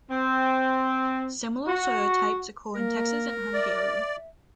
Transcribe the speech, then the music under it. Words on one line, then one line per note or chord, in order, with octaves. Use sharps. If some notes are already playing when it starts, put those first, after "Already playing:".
Similar soil types occur in Texas and Hungary.
C4
F#4
A#3 A#4
D5 E5